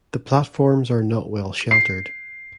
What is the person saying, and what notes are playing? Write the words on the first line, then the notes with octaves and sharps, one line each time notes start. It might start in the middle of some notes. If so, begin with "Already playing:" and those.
The platforms are not well sheltered.
C7